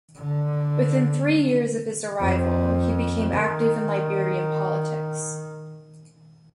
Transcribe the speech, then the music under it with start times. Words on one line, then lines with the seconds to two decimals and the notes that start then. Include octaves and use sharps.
Within three years of his arrival, he became active in Liberian politics.
0.18 D3
2.21 F2
3.36 D#3